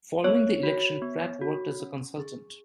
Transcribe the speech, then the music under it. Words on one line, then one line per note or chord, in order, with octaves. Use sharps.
Following the election, Pratt worked as a consultant.
B3 C#5
F#4
B3
F#4
C#4
G#4